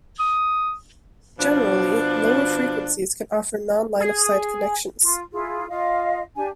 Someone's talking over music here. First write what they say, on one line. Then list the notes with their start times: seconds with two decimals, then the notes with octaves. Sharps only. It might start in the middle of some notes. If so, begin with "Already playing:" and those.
Generally, lower frequencies can offer non-Line-of Sight connections.
0.19 D#6
1.39 B2 F3 D4
4.00 G#4
5.02 F4
5.32 E4 F4 G#4
5.69 F4 D#5 F5
6.36 D4 G4 G#5